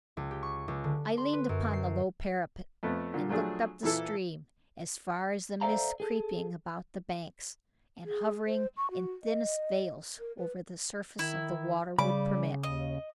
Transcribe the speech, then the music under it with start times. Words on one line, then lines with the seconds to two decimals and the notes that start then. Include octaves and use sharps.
I leaned upon the low parapet, and looked up the stream as far as the mists creeping about the banks, and hovering in thinnest veils over the surface of the water, would permit.
0.17 C#2
0.31 G4
0.43 C#6
0.68 C#2
0.84 D3
1.18 C6
1.33 B4
1.49 F#2
1.73 C7
2.83 F2 A3 B3
3.14 A#2 D3
3.29 F3 F#3 A3 D4 G#4
3.83 A#2 E3 E4 A4
5.61 A4 C5 D5 E5 F5 A#5
6.00 G#4 A4
8.05 G#4
8.46 C5
8.77 C#6
8.91 F#4
9.23 D#5
10.20 A#4
10.37 B4
11.19 D#3 E4
11.99 C#3 G3 B5 D6
12.63 D#2 D#5